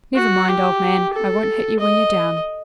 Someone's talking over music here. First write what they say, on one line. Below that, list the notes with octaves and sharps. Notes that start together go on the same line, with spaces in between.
Never mind, old man, I won't hit you when you're down.
F#4
G4
A4
D#5